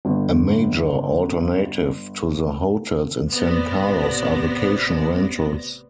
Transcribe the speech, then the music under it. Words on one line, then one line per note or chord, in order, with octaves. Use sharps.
A major alternative to the hotels in San Carlos are vacation rentals.
G1 D3
A1 C3 B3 C5 D5 A#6